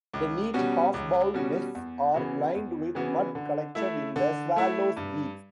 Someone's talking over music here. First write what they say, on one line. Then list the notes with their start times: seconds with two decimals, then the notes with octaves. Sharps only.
The neat half-bowl nests are lined with mud collected in the swallows' beaks.
0.14 C#2
0.54 B2 G3 C#4 F#4
0.94 C#2
1.34 B2 G3 C#4 F#4
1.75 E2
2.14 C#3 E3 B3 F#4
2.55 E2
2.95 C#3 E3 B3 F#4
3.35 D3
3.75 A3 E4
4.16 D3
4.56 A3 E4
4.97 G2